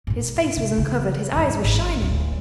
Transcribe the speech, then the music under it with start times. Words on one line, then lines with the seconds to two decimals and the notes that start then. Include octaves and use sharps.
His face was uncovered, his eyes were shining.
0.07 G#2 B2
0.57 C3
0.78 C#3 E3
1.33 F2 G#2
1.64 G#1
2.02 D1 B3